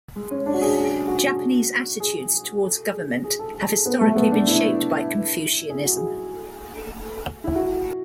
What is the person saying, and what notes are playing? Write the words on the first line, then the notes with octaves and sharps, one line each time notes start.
Japanese attitudes towards government have historically been shaped by Confucianism.
G#3
C#4
D4
F#4
G#4
G#4
F#4
G#4
A4
G#4
G#4
A4
A4
G#4
B3
A3
B3
D4
E4
G#4
F#4
G#4
E4
F#4